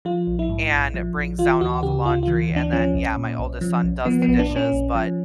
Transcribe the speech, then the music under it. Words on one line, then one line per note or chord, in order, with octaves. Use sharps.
and brings down all the laundry and then yeah, my oldest son does the dishes, but,
F3 F4
A#1
E4
G#2
A#1
F3
A#1
E3 F4
D2 F#4
C#3 G4
D2 F4
E3 F4
D2
D4
F3 C#4
B1
A#2
B1
F3
B1
F3 B3
B3
A#1
D4
A#2
C#4
A#1
F3